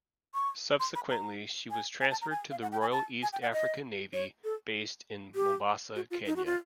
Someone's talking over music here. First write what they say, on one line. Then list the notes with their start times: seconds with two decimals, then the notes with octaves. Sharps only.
Subsequently she was transferred to the Royal East African Navy, based in Mombasa, Kenya.
0.34 C#6
0.80 C6
0.95 B5
1.10 A#5
1.71 G#5
2.01 G#5
2.11 A5
2.22 A#5
2.31 G#5
2.51 F5
2.62 F#5
2.72 G5
2.81 G#5
2.92 A5
3.23 G#5
3.33 G5
3.42 F#5
3.53 D#5
4.13 C#5
4.44 A4
5.35 G4
5.96 F#4
6.11 F4
6.26 D#4
6.36 F#4
6.45 F4